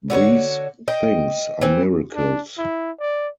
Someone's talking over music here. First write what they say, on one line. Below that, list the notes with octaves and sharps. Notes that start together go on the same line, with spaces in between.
These things are miracles.
D3 F#4 B4 C#5
D#5 G5
E3 C4
D4
E4
D5